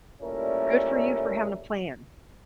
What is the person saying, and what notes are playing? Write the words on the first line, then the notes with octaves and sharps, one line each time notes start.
Good for you for having a plan.
A#2 G3 A3 C#4 E4 A#4